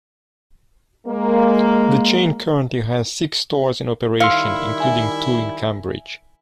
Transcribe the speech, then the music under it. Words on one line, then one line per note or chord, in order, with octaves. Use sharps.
The chain currently has six stores in operation, including two in Cambridge.
G#3 A#3
D#3 G3 E4 F5 C6 E6 C#7
E5 G#5